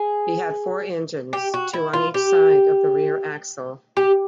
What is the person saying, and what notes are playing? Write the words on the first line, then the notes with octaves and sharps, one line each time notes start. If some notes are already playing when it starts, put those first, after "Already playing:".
It had four engines, two on each side of the rear axle.
Already playing: G#4
G4
F#4
E4
F4
G4
G4